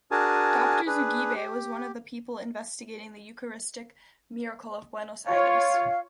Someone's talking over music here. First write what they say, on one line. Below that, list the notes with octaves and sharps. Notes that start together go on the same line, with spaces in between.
Doctor Zugibe was one of the people investigating the Eucharistic miracle of Buenos Aires.
D4 F#4 G#4 A#4 G#5 A5
D4 G#4 B4
G4
F4 C#5 F5